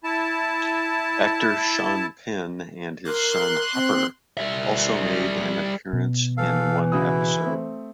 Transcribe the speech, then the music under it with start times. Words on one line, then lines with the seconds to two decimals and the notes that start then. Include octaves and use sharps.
Actor Sean Penn and his son Hopper also made an appearance in one episode.
0.04 E4 A5
3.07 A#4 C6 F#6
3.74 C4
4.37 G3 E5
5.93 B2
6.37 E3 A4 F5
6.92 C#3 E4 F#4 D#6
7.46 A3 C4